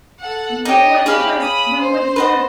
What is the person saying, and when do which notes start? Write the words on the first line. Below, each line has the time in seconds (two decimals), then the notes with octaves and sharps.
When it was when what year?
0.20 A4 F#5
0.65 D#4 G4 C#5 D#5
1.06 G4 G#4 C#5 F5 B5
1.40 B5 D#6
1.79 C5
2.16 B4 D#5 F#5